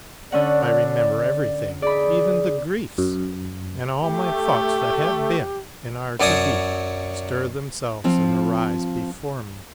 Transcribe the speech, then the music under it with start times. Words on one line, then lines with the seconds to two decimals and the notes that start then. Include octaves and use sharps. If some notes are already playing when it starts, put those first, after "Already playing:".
I remember everything, even the griefs, and all my thoughts that have been and are to be bestir themselves and arise before me.
0.32 D3 C#4 D5 F#5
1.82 G#4 D5 B5
2.98 F#2
4.03 A3 G4
6.20 F#2 F#3 D5 G#5 D#6
8.04 F3 C4 F4